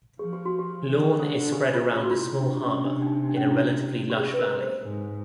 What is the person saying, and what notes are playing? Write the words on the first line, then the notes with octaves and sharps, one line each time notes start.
Lawn is spread around a small harbour in a relatively lush valley.
F3 G#4
G4
F#4
G4
E3
G#4
D3 A4
C#3 G4
F4
F4
F#4
F4
C3 E4
D4
C#4
D4
D4
D#4
D4
C#4
D4
E4
G4
G#4
B4
A#4
C5
G#2